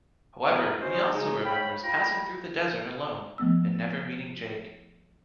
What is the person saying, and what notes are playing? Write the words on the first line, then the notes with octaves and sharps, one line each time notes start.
However, he also remembers passing through the desert alone and never meeting Jake.
A3 B3 E4 G#4 A#4 B4
C#4 F#4 C5 D#5 C6
C#3 F#3 G#3 D#4
C#5 F5 G5 B5
F4 G5 A#5 B5
F3 A3 B3 E6